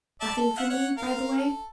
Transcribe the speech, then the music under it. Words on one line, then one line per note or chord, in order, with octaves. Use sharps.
Nothing for me, by-the-way?'
D5 E5 A5
A4
F4 E5 F#5
C#5 F#5
A#4 F5
A4